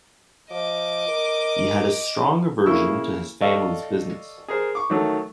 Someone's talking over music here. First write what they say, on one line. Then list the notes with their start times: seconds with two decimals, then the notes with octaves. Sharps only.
He had a strong aversion to his family's business.
0.51 F3 D#5 D6
1.08 A#4
2.66 C#3 A#3 E4 C#6 E6
3.42 A4 D5 D#5 F5 C#6
4.48 G#4 A#4 C5
4.75 C#6 D6
4.90 D#3 F#3 A3